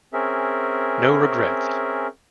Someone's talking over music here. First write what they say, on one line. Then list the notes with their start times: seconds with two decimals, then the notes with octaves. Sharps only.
No regrets.
0.13 C4 C#4 G#4 A#4 E5